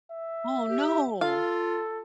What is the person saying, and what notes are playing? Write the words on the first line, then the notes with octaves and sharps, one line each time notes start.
Oh, no!
E5
G4
F4 A4 F5